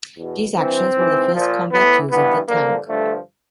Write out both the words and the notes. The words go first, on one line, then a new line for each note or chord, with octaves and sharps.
These actions were the first combat use of the tank.
E2 B2
G2 E3 C4
G#2 E3
A#2 F3
A2 E3 B3
G2 E3 B3
G2 D3 F3 A#3
G2 D3 F3 A3